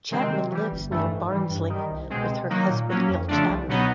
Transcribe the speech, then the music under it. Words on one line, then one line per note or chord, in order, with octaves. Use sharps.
Chapman lives near Barnsley with her husband Neil Chapman.
C3 D#3 G#3 C4
C3
E3 G3
G1
G2 E3 A3
G#2
E3 G3
G2
D#3 G3
C2
B2 G#3 C4
C3
D#3 F#3 A#3 D#4
A#2
F#3 A#3 C#4
F2
C#3 F3 A3 D4
C2
B2 F#3 B3 D#4